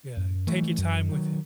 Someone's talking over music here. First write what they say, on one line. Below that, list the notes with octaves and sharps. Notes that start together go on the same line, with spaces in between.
yeah, take your time with him.
F#2
E3 A3
F#2
D#3 F#3